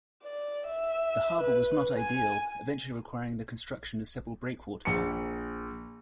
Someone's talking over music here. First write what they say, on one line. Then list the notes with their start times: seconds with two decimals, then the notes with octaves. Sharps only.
The harbour was not ideal, eventually requiring the construction of several breakwaters.
0.23 D5
0.67 E5
1.40 B4
1.98 G#5
4.85 A#1 C#7